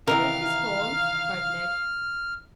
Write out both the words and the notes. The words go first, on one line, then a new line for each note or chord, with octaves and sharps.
"Break his horns!" cried Ned.
C3 D#3 E3 A#4 F5 F6